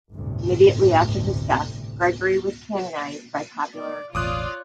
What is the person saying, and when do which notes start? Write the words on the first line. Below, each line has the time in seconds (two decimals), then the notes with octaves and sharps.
Immediately after his death, Gregory was canonized by popular acclaim.
0.13 G1 D2 A2 C3
3.74 D5
4.15 E1 A1 F4 C#5 D5 D6 D#6 F#6